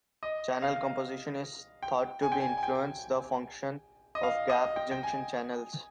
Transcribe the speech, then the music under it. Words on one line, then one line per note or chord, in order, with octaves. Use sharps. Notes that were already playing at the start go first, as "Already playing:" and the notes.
Channel composition is thought to influence the function of gap junction channels.
D#5
F5
G5
G#5
G5
G#5
G#5
G5
D#5
F5
D#5
G5
G5
G#5